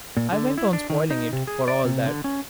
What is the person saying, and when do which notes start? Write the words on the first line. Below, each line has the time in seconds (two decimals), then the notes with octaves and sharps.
I went on spoiling it, for all that.
0.17 A#2
0.32 D3
0.58 E4
0.73 D4
0.90 D#3
1.11 D#4
1.33 C3
1.47 G#4
1.68 D5
1.85 C3
2.06 D3
2.24 C#4